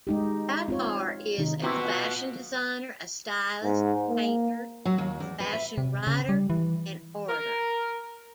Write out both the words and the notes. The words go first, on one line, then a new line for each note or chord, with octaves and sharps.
Thapar is a fashion designer, a stylist, a painter, a fashion writer and orator.
G#3 D#4 G4
C4 F4 C#5
C3 D#3 D#4
C3 B3 C4 E4 F#4
F4 D#5 F#5
G#2
A#3
F#3
D#2
E2
B4
E5
C3
C#3
G3
E3
A#4